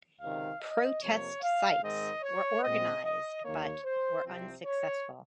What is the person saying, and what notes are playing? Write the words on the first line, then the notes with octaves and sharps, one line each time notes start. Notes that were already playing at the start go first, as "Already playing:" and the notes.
Protest sites were organized but were unsuccessful.
C#2 C3 D#3 F5
D#5
F2 C3 F3 A#3 C#5
F5
G#2 D#3 G#3 C4 D#5
C#5
A#2 G#3 C4 D#5
D#5
D#2 D#3 A#3 C#5
C5
C2 C3 F3 C4
C#5